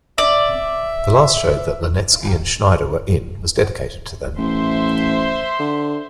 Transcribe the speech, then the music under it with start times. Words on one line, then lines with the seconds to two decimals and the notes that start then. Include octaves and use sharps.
The last show that Linetsky and Schneider were in was dedicated to them.
0.18 D5 E5
4.38 A1 C5 E5 C6
5.59 D3